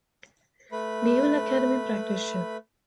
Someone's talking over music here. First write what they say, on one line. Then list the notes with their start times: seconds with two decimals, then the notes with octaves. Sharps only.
Naval Academy Practice Ship.
0.72 A3 B4 B5